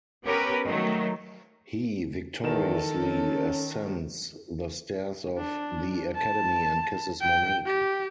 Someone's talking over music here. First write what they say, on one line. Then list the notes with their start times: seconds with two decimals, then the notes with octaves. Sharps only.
He victoriously ascends the stairs of the Academy and kisses Monique.
0.24 B3 C#4 G4 A#4 B4
0.65 D#3 F#3 A3
2.44 E2 D#3 A4 A#4 E7
2.99 C#4
5.38 D4
6.15 A5
7.21 G5
7.66 G4